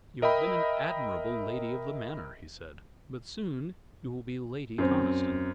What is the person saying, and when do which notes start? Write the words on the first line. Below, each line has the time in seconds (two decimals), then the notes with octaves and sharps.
"You have been an admirable Lady of the Manor," he said. "But soon you will be Lady Conniston."
0.22 A#4 D#5 E5 G5 B5
4.78 F#2 C4